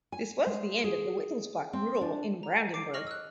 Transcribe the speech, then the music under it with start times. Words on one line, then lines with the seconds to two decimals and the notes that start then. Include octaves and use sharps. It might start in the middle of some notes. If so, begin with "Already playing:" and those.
This was the end of the Wittelsbach rule in Brandenburg.
0.12 G#5
0.46 G#3
0.84 G#4
1.73 C4
2.01 D4
2.43 A#5
2.74 D6 C7 D7
2.94 D#5 C#6 F6 A#6 F7 F#7
3.07 E6 F#6